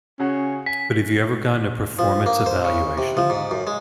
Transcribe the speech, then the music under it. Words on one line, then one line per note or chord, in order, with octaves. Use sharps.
But have you ever gotten a performance evaluation?
C#3 C#4 F#4 G#4
G#5 B6
F3
A#3
C5
C#3
C3
F3
G#2
F#2
G#3